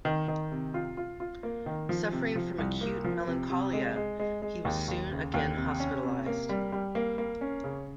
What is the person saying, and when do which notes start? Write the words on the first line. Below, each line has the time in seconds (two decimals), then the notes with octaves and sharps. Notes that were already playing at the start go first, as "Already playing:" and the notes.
Suffering from acute melancholia, he was soon again hospitalized.
0.05 D#3
0.28 D#3
0.52 C3
0.74 F4
0.97 F4
1.20 F4
1.43 A#3
1.66 D#3
1.89 F3
2.12 C3
2.36 F3
2.58 C2
2.81 A#3
3.04 F3
3.27 C3
3.50 C3
3.73 G#3
3.96 G#3
4.19 G#3
4.42 G#3
4.65 D#2
4.88 D#2
5.11 C#3
5.34 D#2
5.57 C3
5.80 C#4
6.03 C3
6.26 A#3
6.49 G3
6.72 G3
6.95 A#3
7.18 A#3
7.41 C#4
7.64 C#3